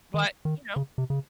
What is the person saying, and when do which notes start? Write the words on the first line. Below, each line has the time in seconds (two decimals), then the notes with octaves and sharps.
but, you know,
0.14 D#3
0.45 D#3
0.76 C#3
0.98 C3
1.10 C#3